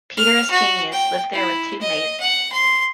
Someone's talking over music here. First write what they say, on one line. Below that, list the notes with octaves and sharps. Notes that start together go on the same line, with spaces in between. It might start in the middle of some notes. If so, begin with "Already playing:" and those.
Peter Ascanius lived there with two maids.
F6
F#4
G5
E4
D#5
F#5
C6